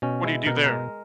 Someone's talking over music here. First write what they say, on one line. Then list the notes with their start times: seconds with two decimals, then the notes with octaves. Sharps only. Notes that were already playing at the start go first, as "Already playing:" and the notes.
What do you do there?
0.02 B2 C#4
0.25 G#3 E4
0.46 B2 A#4
0.57 B4
0.66 G#3 A#4